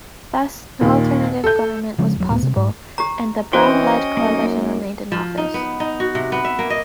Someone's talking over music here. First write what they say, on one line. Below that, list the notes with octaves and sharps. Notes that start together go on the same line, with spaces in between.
Thus, no alternative government was possible, and the Braun-led coalition remained in office.
D#2 A#2
A4 G6
C#3 F3 G#3 C4
E1 F#3
D1 A2 A#3 B3
C3
G#2
G4 A#5
E3 C#4 F#4 C5 D#5 G5
F#2 A#3 D#4
F3
D#4
B3
D#4
F#4
C3
B3
E5
A#3
D#5